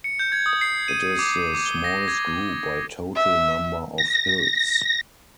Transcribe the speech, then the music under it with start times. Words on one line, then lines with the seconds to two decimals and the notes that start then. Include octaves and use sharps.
It is the smallest group by total number of hills.
0.04 C#7
0.19 G6
0.32 G#6
0.46 D#6
0.61 C7
0.88 D#7
1.19 D6
1.55 D6
1.66 G7
1.84 A#6
2.08 G#6
3.15 E5
3.98 A#6